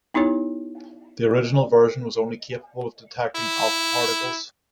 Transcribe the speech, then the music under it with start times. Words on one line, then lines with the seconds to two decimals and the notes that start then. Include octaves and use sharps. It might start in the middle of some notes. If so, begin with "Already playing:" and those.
The original version was only capable of detecting alpha particles.
0.14 B3 D#4 E4 G4 C#5
3.36 E4